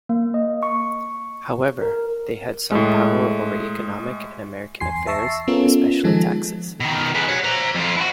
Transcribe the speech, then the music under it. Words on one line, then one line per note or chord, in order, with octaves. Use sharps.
However, they had some power over economic and American affairs, especially taxes.
A#3
D#5
C#6
A#4
A2 G#3
E2 G#5 C6 C7
E5 A5 C#6 E6 A#6 C7
B3 C#4 F4 A4 A#4
D#3 F3 G#3 D#4 G#4 A4
B2 D#3
G#3 B4
C#5 F#5
C5 A#5
F2 F4
E4 F#4